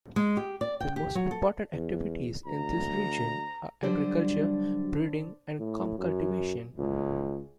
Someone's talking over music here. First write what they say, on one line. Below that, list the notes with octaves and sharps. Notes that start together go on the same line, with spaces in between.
The most important activities in this region are: agriculture, breeding and com cultivation.
G#3
G4
D5
G5
G4
F#3
A4
E2
D2 A#5
D3 F#3 G3 D4 C5
A2
F#2
C#2